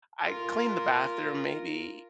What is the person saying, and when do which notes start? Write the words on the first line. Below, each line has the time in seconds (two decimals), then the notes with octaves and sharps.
I clean the bathroom maybe,
0.25 F4 A#4